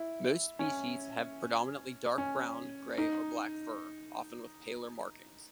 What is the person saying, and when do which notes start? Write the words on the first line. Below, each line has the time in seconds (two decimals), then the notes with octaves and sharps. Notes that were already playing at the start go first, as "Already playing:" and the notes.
Most species have predominantly dark brown, grey, or black fur, often with paler markings.
Already playing: E4
0.59 C#4
2.18 C#4
2.98 D#4